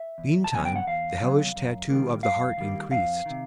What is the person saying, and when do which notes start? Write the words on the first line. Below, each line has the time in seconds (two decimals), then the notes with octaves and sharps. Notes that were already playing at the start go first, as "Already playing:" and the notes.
Meantime the hellish tattoo of the heart increased.
Already playing: E5
0.18 E2
0.44 A5
0.52 C#3 F#3 B3 G#5
0.65 G5
0.76 F#5
0.87 E2 F5
1.21 C#3 F#3 B3
1.56 F#2
1.89 D#3 G3 A#3
2.23 F#2 F5
2.57 D#3 G3 A#3
2.91 F2 F5
3.26 C3 D#3